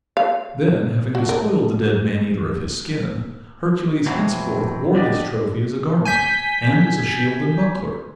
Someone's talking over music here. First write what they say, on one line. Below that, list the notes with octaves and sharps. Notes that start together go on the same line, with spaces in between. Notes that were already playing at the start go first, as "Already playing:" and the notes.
Then, having despoiled the dead man-eater of his skin, Hercules henceforth wore this trophy as a garment, and as a shield and buckler.
F5
F#4
A#4
F2 B2 E3 F#3 C4
F2 D4 F#4 G4 D5 D#5
G#5 G6 B6